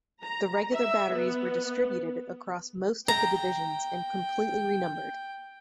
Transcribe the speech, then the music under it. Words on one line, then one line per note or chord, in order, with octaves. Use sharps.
The regular batteries were distributed across most of the divisions and completely renumbered.
A#5
E5
B3
G5 A#5